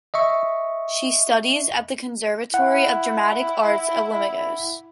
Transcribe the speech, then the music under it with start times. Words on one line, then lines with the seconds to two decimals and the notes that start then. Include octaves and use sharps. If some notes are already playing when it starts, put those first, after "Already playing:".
She studies at the Conservatory of Dramatic Arts of Limoges.
0.14 D#5 E5 C#6
2.54 E4 F#5